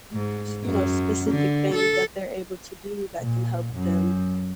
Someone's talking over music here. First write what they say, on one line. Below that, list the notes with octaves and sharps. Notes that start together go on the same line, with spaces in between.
s you know, specific things that they're able to do that can help them,
G#2
F#2
D3
A4
A#2
F#2